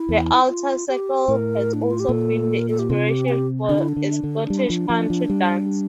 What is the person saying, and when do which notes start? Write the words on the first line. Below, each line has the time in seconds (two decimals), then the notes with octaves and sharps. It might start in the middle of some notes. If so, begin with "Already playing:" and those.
The Outer Circle has also been the inspiration for a Scottish Country Dance.
Already playing: E4
0.09 E2
0.48 F4
0.88 G4
1.28 A2 A#4
1.73 D4
1.82 E4
1.91 F4
2.00 G4
2.09 A#2 A4
2.59 A#4
2.69 A4
2.79 G4
2.90 C3 F4
3.09 G4
3.29 G4
3.69 D3 D4
3.78 E4
3.88 D4
3.97 D3
4.24 D3
4.50 G3
4.70 F3
4.90 F3
5.10 F3
5.30 G3